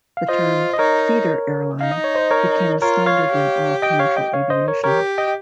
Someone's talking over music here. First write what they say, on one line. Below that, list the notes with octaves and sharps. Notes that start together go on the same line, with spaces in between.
The term "feeder airline" became a standard in all commercial aviation.
F5
F4 C5 D#5
D#5
D#4 A#4 C#5
D#4 F5
D#5
C#5
C5 D#5
A#4 C#5
F4 A#4 C#5
C#5 F5
G4
D#5 G5
C#5 F5
D#5 G5
C#5 F5
C5 D#5
A#4 C#5
G4 A#4 C#5
D#5 G5